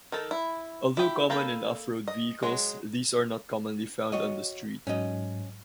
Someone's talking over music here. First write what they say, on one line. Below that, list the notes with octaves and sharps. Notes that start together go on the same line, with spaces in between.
Although common in off-road vehicles these are not commonly found on the street.
D#3 D#4 A4
E4
E4 G4
A#3 A4 G5 B5
D#5
F#3 G#3
F#4 C#5 D#5
G#2 F#3 C#4 D#5